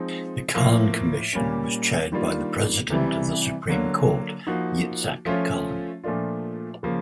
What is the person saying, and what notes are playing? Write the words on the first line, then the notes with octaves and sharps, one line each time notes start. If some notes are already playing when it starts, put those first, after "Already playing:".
The Kahan Commission was chaired by the President of the Supreme Court, Yitzhak Kahan.
Already playing: F3 G#3 C4 D#4
A2 F3 A#3
A#2 G3 A#3 C#4
D#3 G3 A#3 D4 F4
C3 E3 G3
D3 F#3 A#3
F3 A#3 D#4 F#4
F3 A3 C#4 F4
A#2 F3 A3 D4 F4
C#3 F3 A#3